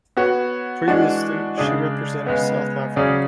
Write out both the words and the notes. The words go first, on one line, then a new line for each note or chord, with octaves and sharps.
Previously, she represented South Africa.
B3 F#4 C#5
E3 G#3 D4 F#4
C#3 G#3 D4 G#4 D5
C#3 G#3 B3
C#3 F#3 C#4 G#4 D5